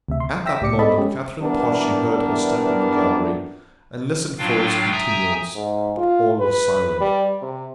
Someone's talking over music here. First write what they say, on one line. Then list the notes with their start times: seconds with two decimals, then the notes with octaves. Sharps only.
At that moment Catherine thought she heard her step in the gallery, and listened for its continuance; but all was silent.
0.08 D2 C3 E5
0.20 C6
0.45 E5 G5 E6 A#6 B6
0.61 C2 A2 G4 D5 D6 C#7
0.79 B3 A4 D#5 A5 B5
0.98 G#3 C#4 G4
1.41 E3 G3 B3 D4 A#4
4.38 A2 F#3 D4 F4 F5 G5
4.92 E5 G5 G#5 A#5 D#6
5.55 G#2
5.97 F4
6.39 B4
7.01 G3
7.42 C3